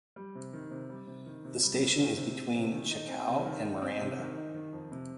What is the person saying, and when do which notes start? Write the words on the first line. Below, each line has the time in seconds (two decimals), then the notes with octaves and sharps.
The station is between Chacao and Miranda.
0.16 G3
0.35 C3
0.53 D#3
0.71 C3
0.90 G3
1.08 C3
1.26 D#3
1.45 C3
1.63 G3
1.81 C3
1.99 D#3
2.17 C3
2.35 C4
2.54 C3
2.72 D#3
2.91 D#4
3.08 C4
3.28 C3
3.45 D#3
3.64 D#4
3.82 C4
4.00 C3
4.18 D#3
4.37 D#4
4.54 D#3
4.73 F2
4.92 C3